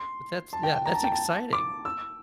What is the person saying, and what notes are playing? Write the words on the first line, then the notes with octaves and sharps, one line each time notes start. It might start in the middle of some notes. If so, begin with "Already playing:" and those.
But that's, yeah, that's exciting.
Already playing: C6
A5
G5
G5
A#5
A5
G5
A5
D6
E6